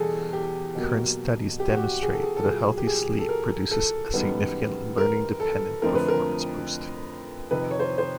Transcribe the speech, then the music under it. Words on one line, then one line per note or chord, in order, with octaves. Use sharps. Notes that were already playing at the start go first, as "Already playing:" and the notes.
Current studies demonstrate that a healthy sleep produces a significant learning-dependent performance boost.
Already playing: E2 B2 G3 G#4 A4
G4
B2 F#3 A#3
G4
F#4
G4
G#4
A4
G#4
A4
A#2 F#3 A#3 G#4
G4
G#4
A4
A#4
A4
F#2 D#3 G3 B3
A#4
A4
F2 D3 F3 A3 C4 A#4
B4
A#4
F2 C3 D#3 B4
C#5
C5
C5